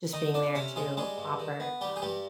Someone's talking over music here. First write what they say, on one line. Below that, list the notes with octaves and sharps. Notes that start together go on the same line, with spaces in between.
just being there to offer, um,
D#3 D#4 D#5
F2 D4 D5
C3 C#4 C#5
F2 G#3 G#4
G3 G#3 G#4
G2
D#3
B3
G3 G4
G#4
G2 G3 G4